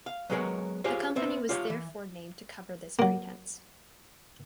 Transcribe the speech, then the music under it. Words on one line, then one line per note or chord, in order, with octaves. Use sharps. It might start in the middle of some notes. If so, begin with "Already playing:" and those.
The company was therefore named to cover this pretence.
F5
F#3 G#3 B3 G#4 A#4 C#5
F4 G4 G#4 C5 C#5 F5
B3 C4 E5
F4 G4 C#5 F5
E3
F#3 A#3